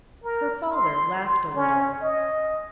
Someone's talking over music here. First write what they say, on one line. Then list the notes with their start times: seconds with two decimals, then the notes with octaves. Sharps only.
Her father laughed a little.
0.24 A#4
0.72 C6
1.56 C#4
2.02 D#5